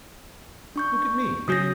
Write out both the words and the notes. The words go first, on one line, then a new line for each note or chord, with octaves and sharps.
Look at me.
D4 C#6 G6
C#3 F#3 C#4 D#6 G6 A#6